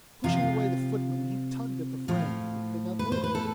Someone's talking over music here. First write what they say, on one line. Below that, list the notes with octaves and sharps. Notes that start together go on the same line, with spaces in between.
Pushing away the footmen he tugged at the frame, but could not move it.
C3 F3 F4
A2 F3
B4
C5
B4
A4